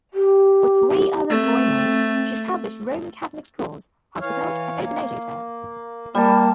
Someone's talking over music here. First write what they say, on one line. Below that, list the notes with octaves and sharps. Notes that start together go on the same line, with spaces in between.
With three other Grey Nuns, she established Roman Catholic schools, hospitals and orphanages there.
G4
A3 C4
E3 C#5 F5
A#3
G3 A#3 A5